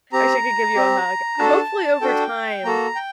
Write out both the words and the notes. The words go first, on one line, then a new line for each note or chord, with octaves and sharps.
I wish I could give you a hug. Hopefully, over time,
C4 G4 A#5
C4 G4
D4 F#4 A4 A5
D4 F#4 A4 G5
A#3 F#4 A4 A#5
G5